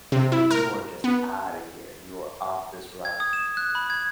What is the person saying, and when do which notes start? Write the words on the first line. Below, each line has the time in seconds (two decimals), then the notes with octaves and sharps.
and you are just outta here. You are off this rock.
0.12 C3
0.32 E4
0.51 A#4
1.04 B3
3.05 G#6
3.20 D#6
3.33 E7
3.57 F#6
3.75 B5
3.90 G#6